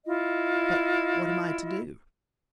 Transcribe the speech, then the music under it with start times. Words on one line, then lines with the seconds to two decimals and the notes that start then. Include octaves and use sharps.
But--what am I to do?
0.05 E4 F4 D#5